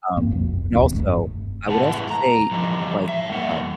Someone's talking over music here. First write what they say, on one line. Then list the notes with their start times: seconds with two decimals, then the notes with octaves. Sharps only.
Um, but also I would also say, like, uh,
0.17 G2 A#3 C4
0.31 E1 B1 F2
0.75 D1 A#1 D#2 C4
0.95 F1 E2 G2 A3
1.69 A2 G4 F#5 A5
1.91 A3 E4 G#4 B4 E5
2.10 A#5
2.51 E3 F3 G3 D#4
3.09 C#5 E5
3.29 E2 G3 A#3 D#4 F4 F#5